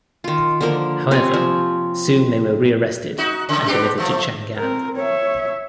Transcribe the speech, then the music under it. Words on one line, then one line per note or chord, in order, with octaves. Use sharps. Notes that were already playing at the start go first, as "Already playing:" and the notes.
However, soon they were rearrested and delivered to Chang'an.
D#3 F4
D3 F3 A#3 A#4
C3 C4 C#5 G#5
F3
D#4 F#4
A2 C#3
B3 D4 G4
F3 A3
C4 A#4
C#5 E5